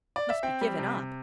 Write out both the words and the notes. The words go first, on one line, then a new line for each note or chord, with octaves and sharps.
"Must be given up?"
D5
E5
C4 G5
G3
C3
C3